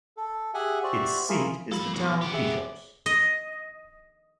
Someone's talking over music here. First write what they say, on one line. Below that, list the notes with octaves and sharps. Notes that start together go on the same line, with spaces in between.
Its seat is the town Picos.
A4
G4 G#4 E5 F#5 G#5
F#4 G4 C5 D5 E5
A3 E4 F4 G#4 A#4
F4 A4 B5
B1 E2
B3 G4
G#4 E5
D#5